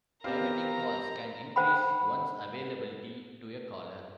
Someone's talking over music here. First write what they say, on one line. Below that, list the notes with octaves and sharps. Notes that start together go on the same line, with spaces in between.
Diverting calls can increase one's availability to a caller.
B3 C4 G4 A#4 C5 F5 A#5 B5
C5 F#5 G5 B5